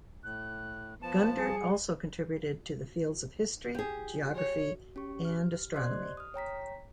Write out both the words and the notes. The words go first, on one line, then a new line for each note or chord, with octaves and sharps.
Gundert also contributed to the fields of history, geography and astronomy.
A2 F#6
F3 B3 A5 E7
G3 G#4 C#7
G4 G#4
C#5
C#4 G4 C#6
F6
C5 D5 D#5 C6 F#6 G#6
D#6 F6
C#5 G5 A#5 B6